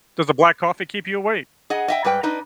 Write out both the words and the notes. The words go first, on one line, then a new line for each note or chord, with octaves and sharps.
Does the black coffee keep you awake?
G#4 D#5 F#5
D#5 E5 G5
G#2 G3 B4 G5
D4 D#4 B4 D#5